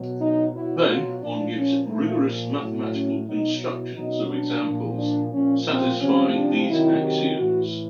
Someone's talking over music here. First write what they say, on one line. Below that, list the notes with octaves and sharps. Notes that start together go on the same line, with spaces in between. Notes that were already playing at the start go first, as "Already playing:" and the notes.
Then, one gives rigorous mathematical constructions of examples satisfying these axioms.
Already playing: B2 F#3
D#4
B2 F#3 E4
F4
A#2 F3 D4
C#4
A#2 F3 A3
A2 F#3
C#4
B2 F#3 D#4
E4
B2 F#3 D#4
D4
A#2 F3
D4
A#2 F3 C#4
C4
C3 F3 C#4
D4
C3 D#3 F#3 E4
G4
A2 E3 F#4